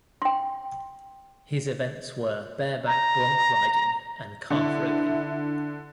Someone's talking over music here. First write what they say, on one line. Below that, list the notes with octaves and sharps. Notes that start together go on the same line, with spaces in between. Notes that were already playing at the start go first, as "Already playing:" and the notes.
His events were bareback bronc riding and calf roping.
G5 C6
A#5
D3 E4